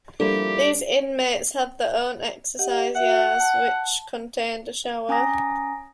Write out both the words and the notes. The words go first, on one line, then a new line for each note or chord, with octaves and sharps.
These inmates had their own exercise yards, which contained a shower.
F3 G3 A#3 D4 E4 G4 A4
G4 D#5 F#5
F#4 E5 F#5
A5
C#4 G#5 A#5 D#6 A#6